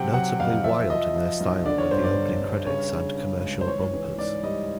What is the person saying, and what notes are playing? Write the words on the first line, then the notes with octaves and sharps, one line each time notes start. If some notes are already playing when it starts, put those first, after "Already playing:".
Notably wild in their style were the opening credits and commercial bumpers.
Already playing: C3 F#3 F#5 G5
F#3 F#5
F2 F5
F3 E5
F3 D#5
F3
B1
D3 D5
C#5
G1 C5
D5
G1
G2
C#3 C#5
C#3
C#3
C#2
C5
E3 C#5
E3
G#2 D5
G3 D#5